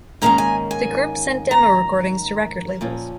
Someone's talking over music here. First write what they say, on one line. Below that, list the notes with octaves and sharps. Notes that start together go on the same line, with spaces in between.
The group sent demo recordings to record labels.
G#2 D#3 A#3 C#4 A#5
G#5
G#5
A#5
A#2 F3 C#4